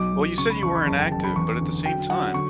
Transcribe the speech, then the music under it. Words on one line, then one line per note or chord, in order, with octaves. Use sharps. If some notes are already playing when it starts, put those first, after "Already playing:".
Well, you said you were inactive, but at the same time,
Already playing: B1 F#3 D6
B1
C#3 C#6
B5
E2 C#6
B5
F#1 A5
G5
F#1 A5
B5
E2 C#6
D3
F#3 G5
F#3 F#5
D3 C#6